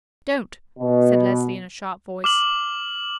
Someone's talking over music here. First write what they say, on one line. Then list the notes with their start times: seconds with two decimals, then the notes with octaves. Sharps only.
"Don't," said Leslie in a sharp voice.
0.79 B2
2.24 D6 F6 F#7